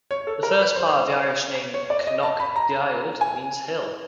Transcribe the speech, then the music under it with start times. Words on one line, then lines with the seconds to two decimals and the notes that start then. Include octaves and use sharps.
The first part of the Irish name "Cnoc Daod" means "hill".
0.11 C#5
0.27 A4
0.43 A#4
0.59 B4
0.76 C5
1.74 C#5
1.90 D5
2.07 D#5
2.23 A5
2.40 B5
2.56 A#5
3.21 G#5